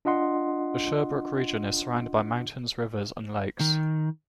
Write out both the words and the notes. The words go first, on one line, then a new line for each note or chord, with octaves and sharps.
The Sherbrooke region is surrounded by mountains, rivers and lakes.
D4 F4 D#5 F#5 C6
D#3